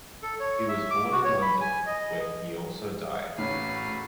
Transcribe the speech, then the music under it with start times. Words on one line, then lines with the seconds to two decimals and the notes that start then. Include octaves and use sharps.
He was born in London, where he also died.
0.23 A4
0.40 C#5
0.68 E5
0.91 D6
1.12 F#4
1.25 C#5
1.42 B5
1.61 G#5
1.86 D#5
3.38 E2 A2 F#3 A3 C#4 B4 F5